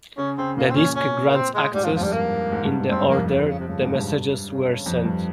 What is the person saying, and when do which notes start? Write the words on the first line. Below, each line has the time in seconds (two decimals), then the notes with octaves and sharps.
The disk grants access in the order the messages were sent.
0.18 C#3 C#4
0.38 C#3 C4
0.57 A#2 A#3
0.70 C4
0.76 A#2 C#4
0.95 C#4
1.28 A#3
1.35 C4
1.55 G#3
1.74 G#2 G3
1.84 F3
1.87 F2
1.96 F3
2.00 G2 G3
2.13 A#3
2.52 G#2
2.65 G2
2.91 G2 C4
3.04 F2
3.10 A#3
3.17 F2
3.30 C#3
3.39 D#3
3.45 C3
3.49 C#3
3.59 C3
3.68 G2 C#3
3.81 G#2
3.95 G2
4.47 C#3
4.86 F2
5.05 G2